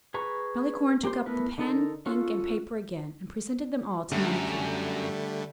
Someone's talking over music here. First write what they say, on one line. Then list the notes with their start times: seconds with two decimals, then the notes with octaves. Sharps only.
Malicorne took up the pen, ink, and paper again, and presented them all to Manicamp.
0.14 G#4 B4 A#5 C#6
1.03 A#3 G4 C5 C6
1.26 A3 B3 E4 A#4 B4
1.58 D3 D#4 A4 A#4
2.06 C#4 F4 F#4 A4
4.12 F#2 D3 G3 A3